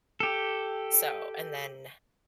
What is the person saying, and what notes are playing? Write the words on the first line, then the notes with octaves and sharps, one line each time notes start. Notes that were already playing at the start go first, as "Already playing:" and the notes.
So and then,
G4 A4